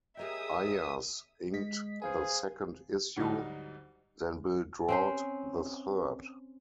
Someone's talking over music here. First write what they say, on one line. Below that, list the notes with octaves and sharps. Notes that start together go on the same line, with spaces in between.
Ayers inked the second issue, then Bill Draut the third.
G4 G#4 A#4 C#5 D#5 E5 G5 D#6
G#3 D#5 B6
G#4 B4 C5 F5 G#5
D2 G#2 F#3 G3 D#4
C4 C#4 C5